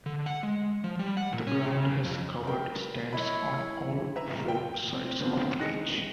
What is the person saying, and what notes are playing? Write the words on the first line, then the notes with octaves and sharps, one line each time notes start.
The ground has covered stands on all four sides of the pitch.
D3
F#5
G#3
F3
G3
F#5
A#2
C#4
C#3
F2
A#4 B4 G5
E4 C#5 D#5 B5
B4 E5 A#5
F4 B4 G5
C4
D2 D3 F3 B3 C4
D#3 D#4 G#4 F#6 A#6 C#7